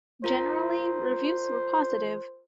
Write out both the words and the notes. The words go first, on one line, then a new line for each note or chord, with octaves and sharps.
Generally, reviews were positive.
F4 A#4 C5 A#5